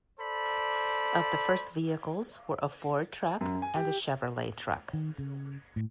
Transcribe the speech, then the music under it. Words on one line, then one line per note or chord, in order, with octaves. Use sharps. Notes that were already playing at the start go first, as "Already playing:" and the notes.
Of the first vehicles were a Ford Truck and a Chevrolet Truck.
A4 C5 D5 B5
F#2
G#5
G4
D#3
C#3
A2